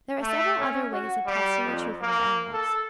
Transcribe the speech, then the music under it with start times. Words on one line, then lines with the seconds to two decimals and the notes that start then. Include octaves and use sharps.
There are several other ways of testing the truth of our annals.
0.21 A3
0.59 C#4
0.92 F#4
1.27 G3
1.64 F2
2.01 A#3
2.53 A4